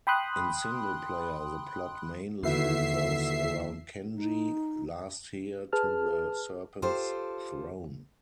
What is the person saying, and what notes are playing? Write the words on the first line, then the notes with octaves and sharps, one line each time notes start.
In single-player, the plot mainly revolves around Kenji, last heir to the Serpent's Throne.
G5 B5 C6 D#6 F#6
D#2 D3 E4 F#4 B4 E5 C7
D#4
G#4 B4 A5 F6
F4 G4 A4 C5